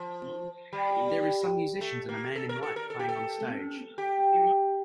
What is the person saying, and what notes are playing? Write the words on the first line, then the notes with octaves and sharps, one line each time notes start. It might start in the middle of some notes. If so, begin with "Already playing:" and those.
There is some musicians and a man in white playing on a stage.
Already playing: F3
G3
A3
A#3
A4
A#4
A4
A#4
A4
G4
A4
G4